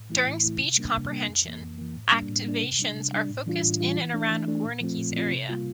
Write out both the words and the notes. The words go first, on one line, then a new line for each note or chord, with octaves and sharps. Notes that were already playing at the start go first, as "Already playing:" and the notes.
During speech comprehension, activations are focused in and around Wernicke's area.
Already playing: A2
E3 A3 E4
A2
E3 A3 E4
C3
G3 A#3 D4
C3
G3 A#3 D4
F2
E3 A#3
F2
E3 A#3
A2
G3 A#3 D4
A2
G3 A#3 D4
C3
G3 D4
C3
G3 D4
A2
E3 G3 D4 F4
A2
E3 G3 D4 F4
E3
A3 D4
E3
A3 D4
A#2
F3 A3 C4 F4
A#2
F3 A3 C4 F4
C3
G3 A#3 F4